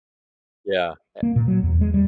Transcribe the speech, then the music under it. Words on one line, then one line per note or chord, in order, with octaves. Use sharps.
Yeah, eh
A#3
A#2
F#3
E2
G#3
G3